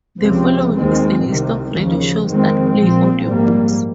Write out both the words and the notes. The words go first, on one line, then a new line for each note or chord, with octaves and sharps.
The following is a list of radio shows that play audiobooks.
C#2 C3 F3 C4
D#2 D#3 G#3 C4
C2 C3 D#3
D#2 C#3 F3
F2 D#3 G#3 C4
A#1 A#2 F3 C4
A#1 G#2 G3 A#3